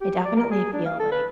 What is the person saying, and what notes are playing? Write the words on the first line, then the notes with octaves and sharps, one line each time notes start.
I definitely feel like,
G4
D5
A#4
G#4
D4
F5
A4
B4